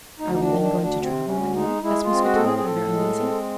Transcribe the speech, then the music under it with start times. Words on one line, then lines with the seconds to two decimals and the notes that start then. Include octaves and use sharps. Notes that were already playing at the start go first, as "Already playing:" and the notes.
"Are we then going to travel, my lord?" asked Mousqueton, rather uneasy.
0.19 D2 D#4
0.33 D#4
0.40 D4
0.47 D#3
0.61 D4
0.74 D2
0.81 D4
1.01 C3 C4
1.28 D2 C#4
1.55 G#3 D#4
1.82 G#3 E4
2.03 F4
2.11 C4
2.23 F#4
2.35 A2 A4
2.44 G#4
2.57 G#4
2.65 A2 A4
2.92 G#3
3.18 C4